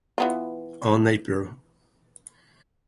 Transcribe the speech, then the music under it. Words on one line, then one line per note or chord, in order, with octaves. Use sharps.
On Apr.
E3 B3 F4